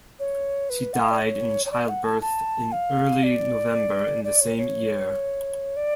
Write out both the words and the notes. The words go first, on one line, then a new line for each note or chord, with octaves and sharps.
She died in childbirth in early November in the same year.
C#5
B4
F#5
F5
D5
C#5
C#5
D5
F#5
A5
A5
F5
D5
D5
C#5
C#5
D5